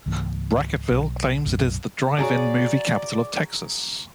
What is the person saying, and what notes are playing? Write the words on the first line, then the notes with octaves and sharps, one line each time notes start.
Brackettville claims it is the drive-in movie capital of Texas.
C#2 G#2 E3 A#3
B1
B1 F#2 A2
F#4 G#4 C#5 D5 A#5 A6